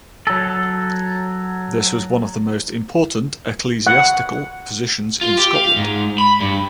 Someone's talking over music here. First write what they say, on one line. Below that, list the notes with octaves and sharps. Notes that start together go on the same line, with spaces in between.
This was one of the most important ecclesiastical positions in Scotland.
F#3 A4
F#5
F4
G4
F5
G#2
B5
G2